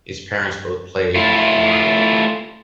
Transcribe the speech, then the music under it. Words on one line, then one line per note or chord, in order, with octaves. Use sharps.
His parents both played the harmonica.
A3 E4 F4